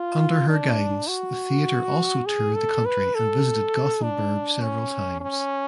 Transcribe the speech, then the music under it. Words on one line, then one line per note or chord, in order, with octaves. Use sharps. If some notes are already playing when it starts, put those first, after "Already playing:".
Under her guidance the theatre also toured the country and visited Gothenburg several times.
Already playing: F4
D4
F#4
G#4
A4
B4
A4
D4
C#4
C#4